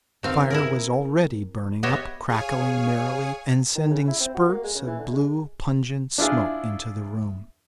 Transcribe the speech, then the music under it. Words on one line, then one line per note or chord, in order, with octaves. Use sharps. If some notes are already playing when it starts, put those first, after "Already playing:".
The fire was already burning up, crackling merrily, and sending spurts of blue, pungent smoke into the room.
D#3 C4 F5
E4 G#4 A#4
B3 G4 C#5 D#5 E5
G#4 C#5 F5 G#5
D#3
C#3
E4
C4
F#4
A#3
G#3
C#3
E3
D3
G#3
D4 E4 F4 G#4